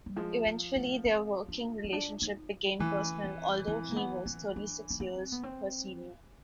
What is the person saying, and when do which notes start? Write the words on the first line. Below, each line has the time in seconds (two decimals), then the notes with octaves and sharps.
Eventually their working relationship became personal although he was thirty-six years her senior.
0.06 G3
0.16 F3 G#3
0.46 A3
0.76 A3
1.04 C4
1.48 D4
1.84 C#4
1.93 D4
2.22 D#4
2.79 E3 C#4
3.24 C4
3.68 E3 C4
3.91 A#3
3.96 B3
4.26 C4
4.56 D4
4.90 C#4
5.00 C4
5.32 B3
5.43 C4